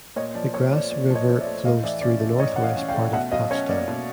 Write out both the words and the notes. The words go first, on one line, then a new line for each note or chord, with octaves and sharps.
The Grasse River flows through the northwest part of Potsdam.
A#2 C#5 D#5
F3 D5
C4 C#5
A3 D5
A#2 D5
F3
C#5 D#5
C4
D5 E5
A3
A2 D#5 F5
E3 D5 E5
C#4 D5
A3
A2 C#5 D#5
E3 F#5
D#5 F5
C#4
F5 G5
A3
B2 E5 F#5
F#3 D#5 F5
C#4 C#5 D#5
A#3 D5
B2